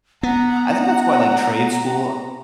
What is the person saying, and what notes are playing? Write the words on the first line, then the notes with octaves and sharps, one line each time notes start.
I think that's why, like, trade school
B3 F#5 A#5